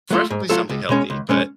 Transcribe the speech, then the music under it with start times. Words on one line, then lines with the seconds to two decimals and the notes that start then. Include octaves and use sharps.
preferably something healthy, but
0.11 F#3 A3 F4 A4
0.31 G#2
0.49 F#3 A3 F4 A4
0.69 C#2
0.89 B2 G#3 C#4
1.10 C#2
1.29 B2 G#3 C#4